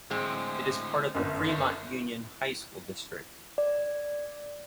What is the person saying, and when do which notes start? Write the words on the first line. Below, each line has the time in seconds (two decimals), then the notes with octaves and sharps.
It is part of the Fremont Union High School District.
0.11 D2 A2 G#3 C4
1.14 G1 F#2
1.45 D4 C#5
3.58 D5